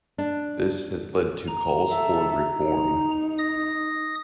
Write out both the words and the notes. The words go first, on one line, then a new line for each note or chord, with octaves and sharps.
This has led to calls for reform.
D4
A#5
A4 E5
D#4
D#6 A#6